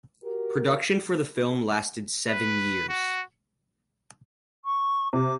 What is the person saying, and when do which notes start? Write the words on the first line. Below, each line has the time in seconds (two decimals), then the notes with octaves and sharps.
Production for the film lasted seven years.
0.23 F#4 G4 A#4
2.29 B4
2.89 F#4
4.65 C#6
5.13 C3 D6